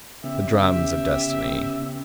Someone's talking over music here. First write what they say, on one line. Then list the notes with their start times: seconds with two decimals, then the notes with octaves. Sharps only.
The drums of Destiny!
0.24 C#3 B3 C#4 G4 E5